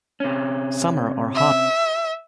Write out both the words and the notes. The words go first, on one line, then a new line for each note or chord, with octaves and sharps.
Summer are hottest in month of May and June.
C3 C#4
E5